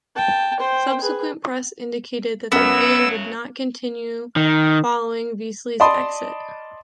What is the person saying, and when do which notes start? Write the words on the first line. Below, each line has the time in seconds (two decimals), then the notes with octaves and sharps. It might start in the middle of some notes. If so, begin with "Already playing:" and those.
Subsequent press indicated that the band would not continue following Vesely's exit.
0.16 G5 A5
0.59 C5 G5
1.01 G#4 B4
2.52 F#2 A2 C#3 F#3 B3 A#4 E6
4.36 D#3
5.80 D5 D#5 A5 B5 C6 D#6